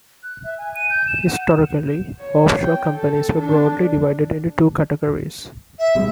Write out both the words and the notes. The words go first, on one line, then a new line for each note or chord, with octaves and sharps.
Historically, offshore companies were broadly divided into two categories.
F#6
E5
G#5
D#7
G6
E7
F#5
C#5
G5
A4
D4
E5
B1 G3 G#3